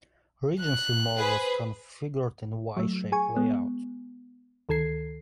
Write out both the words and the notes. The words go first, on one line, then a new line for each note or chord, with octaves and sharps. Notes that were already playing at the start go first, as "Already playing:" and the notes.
Regency Mall was configured in a Y-shaped layout.
F#6
G#4 B4 C5
F#3 A3
G#4 G#5 C#6
G#3 B3
D2 D#3 A4 G#6 C7